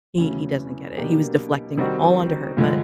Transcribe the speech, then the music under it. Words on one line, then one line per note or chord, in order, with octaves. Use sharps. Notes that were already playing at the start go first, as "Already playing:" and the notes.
He he doesn't get it. He was deflecting it all onto her, but
E2 C#3 F#3 A3 C#4
B2 F#3 A#3 D4 G4
D#3 G3 C4 D#4 F#4
G2 D3 F3 G#3